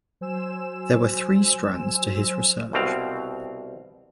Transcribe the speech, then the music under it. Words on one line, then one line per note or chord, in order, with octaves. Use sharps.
There were three strands to his research.
F#3 C5 G#5 E6 E7
C2 B2 C4 F5